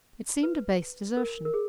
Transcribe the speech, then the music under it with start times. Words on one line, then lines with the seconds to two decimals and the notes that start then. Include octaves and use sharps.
It seemed a base desertion.
0.43 B4
1.17 A#4
1.45 A#4
1.54 G#4